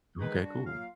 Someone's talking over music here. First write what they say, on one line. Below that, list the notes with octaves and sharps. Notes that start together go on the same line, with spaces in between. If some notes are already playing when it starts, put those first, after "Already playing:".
Okay, cool.
D#3 E3 G#3 D#4 G#4 B4
G3 D4 F#4
F#3 A#3 F4 F5